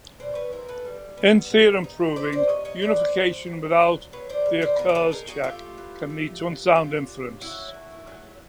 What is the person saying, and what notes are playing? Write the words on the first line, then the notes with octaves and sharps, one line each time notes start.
In theorem proving, unification without the occurs check can lead to unsound inference.
B2 C5 D5
B4 C#5
E4 A#4 C5
A4 B4
G3
B3
C3
D#4
F3 C5 D5
C5 D5
C3 C#5 D#5
C#5 D#5
B3 C5 D5
F#3
F#3
F#3
F#3 B4 C#5
C5 D5
C#3
C5 D5
B3 A#4 C5
A#4
A4 B4
D#4 G#4 A#4
F#4 G#4
A3 F4 G4
E3
A3
E3
F#3 F4 G4
F#3
C#4 E4 F#4
A3
F#3